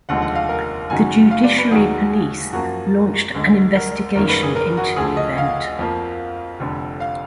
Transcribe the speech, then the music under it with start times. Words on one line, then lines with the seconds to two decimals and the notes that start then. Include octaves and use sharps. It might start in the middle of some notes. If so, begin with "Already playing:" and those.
The Judiciary Police launched an investigation into the event.
0.09 F1 D#2 D3 F3 G#3 F#5
0.22 F#5
0.35 F5
0.49 A#4
0.90 F#1 F#2 D#3 F#3 G#5
1.31 F5
1.44 D5
1.58 B4
1.71 D#2 D#3 F#3 G#4
2.53 F#2 F3 A#3 F#4
3.34 D2 D3 G#3
3.75 A#4
4.15 G#1 F#2 D#3 A#3 A#4
4.29 B4
4.43 G#4
4.56 A#4
4.77 F#4
4.96 D2 D3 F3 G#4
5.17 D#5
5.38 F5
5.79 F2 F3 A#3
6.60 F1 F2 D3
7.00 F5